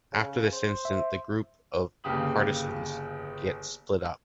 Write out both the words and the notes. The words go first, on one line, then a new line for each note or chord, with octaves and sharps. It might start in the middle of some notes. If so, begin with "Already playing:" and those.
After this incident, the group of partisans gets split up.
C#3
C5
E5
G1 C#3 A#3 G4 D#6 F#7